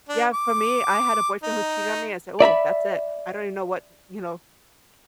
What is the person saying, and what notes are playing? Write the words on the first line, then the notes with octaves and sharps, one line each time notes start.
Yeah, for me, I had a boyfriend who cheated on me. I said, "Oh, that's it. I don't even know what, you know,
D4
D6
D#4
D5 E5 A#5 B5